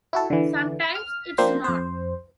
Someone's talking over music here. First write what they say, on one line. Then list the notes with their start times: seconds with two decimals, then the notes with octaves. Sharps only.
Sometimes it's not.
0.13 E4 F#4 A4
0.30 D3 E3
0.95 F6
1.38 F3 A#3 C4 D4 C5
1.64 F2 C5